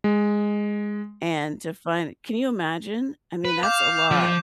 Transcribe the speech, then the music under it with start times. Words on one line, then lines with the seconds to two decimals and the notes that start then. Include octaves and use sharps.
and to find Can you imagine? I mean, that's a lot.
0.04 G#3
3.45 B4
3.63 F5 D6 G6
4.11 F3